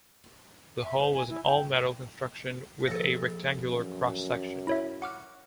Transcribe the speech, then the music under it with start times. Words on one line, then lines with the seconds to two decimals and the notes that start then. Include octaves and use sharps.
The hull was an all-metal construction with a rectangular cross-section.
0.83 E5
0.99 C5
1.13 G#5
1.29 E4
1.44 G5
2.88 A#1 A4 A#6 C#7
3.69 F#2
4.67 E4 C#5 E5
5.02 F#4 F#5 D6 F6